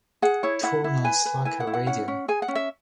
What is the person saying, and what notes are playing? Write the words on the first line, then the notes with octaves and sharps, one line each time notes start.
Turn on Slacker radio.
G#4 F#5
E4 C#5
E4 F#5
E4
B4 G#5
B4
E4 G#5
F#5
E4
F#5
C#4 F#5
C#4
G#4 G#5
F#5
C#4
E5